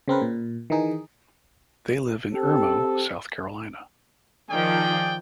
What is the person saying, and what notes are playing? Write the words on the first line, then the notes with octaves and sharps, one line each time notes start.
They live in Irmo, South Carolina.
C#3 C4 A#4 B4
A#2
D#3 E3 D#4 G#4
C4 G4 A4
D#3 F3 G#4 D5 G5